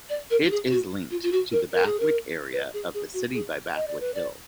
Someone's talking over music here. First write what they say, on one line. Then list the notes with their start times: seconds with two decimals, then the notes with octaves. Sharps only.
It is linked to the Bathwick area of the city by Bathwick Hill.
0.09 D5
0.30 A#4
0.46 F#4
0.51 G#4
0.71 F#4
1.10 F4
1.22 F4
1.32 F#4
1.52 A#4
1.72 A#4
1.85 G#4
1.99 A#4
2.53 B4
2.73 G#4
2.94 G#4
3.13 F#4
3.34 G#4
3.75 D#5
3.87 D5
4.00 B4
4.14 D5